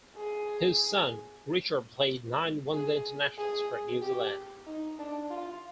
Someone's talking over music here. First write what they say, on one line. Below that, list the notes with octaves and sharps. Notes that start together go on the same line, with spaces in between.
His son Richard played nine one-day internationals for New Zealand.
G#4
G#4
G#4
G4
D#4
D4
F4